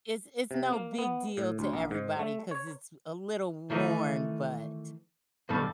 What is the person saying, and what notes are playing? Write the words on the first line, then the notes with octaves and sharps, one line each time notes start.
It's it's no big deal to everybody 'cause it's a little worn, but,
C3
A#3
B3
A2
D2
A#1
G#2
A3
C#5
D#3 E3 A3 D4 D#4
B1 G2 D#3 G3 A4